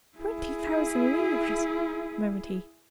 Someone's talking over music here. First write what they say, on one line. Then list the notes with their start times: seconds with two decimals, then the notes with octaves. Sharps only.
"Twenty thousand livres!" murmured he.
0.18 E4 G#4